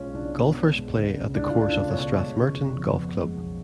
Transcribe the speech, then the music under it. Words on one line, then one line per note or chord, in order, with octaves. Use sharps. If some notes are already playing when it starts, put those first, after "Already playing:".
Golfers play at the course of the Strathmerton Golf Club.
Already playing: B1 G#3 C#4 F4
B1 D4
B2 D4
B3
G#3
D2
C#3
C#2 D4
A3 F4
D4
C#2
C#5
B2
G#3
C#3
F#1
F2
B3
G#3
B1